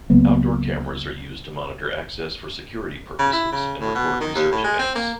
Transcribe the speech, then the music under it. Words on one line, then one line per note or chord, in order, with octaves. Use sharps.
Outdoor cameras are used to monitor access for security purposes and record research events.
C#2 F#3 A#3 B3
C#3
E4
C#3
A2
B2
D#3
D#2
A2
G#3
C4
A#3